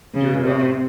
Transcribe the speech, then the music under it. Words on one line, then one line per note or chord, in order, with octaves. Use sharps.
you're, um,
C#3
C3